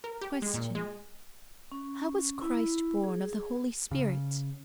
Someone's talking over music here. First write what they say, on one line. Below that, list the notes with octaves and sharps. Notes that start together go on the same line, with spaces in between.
Question.--How was Christ born of the Holy Spirit?
A#4
G4
G#3
A#2
G#3
C#4
E4
G#4
C#3